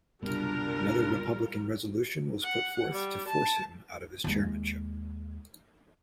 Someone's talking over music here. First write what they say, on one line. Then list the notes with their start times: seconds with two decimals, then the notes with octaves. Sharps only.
Another Republican resolution was put forth to force him out of his chairmanship.
0.22 F#1 C2 B2 G3 D4 F4 A#4
2.42 F#5
2.92 G3
3.28 A5
4.24 D#2 G#3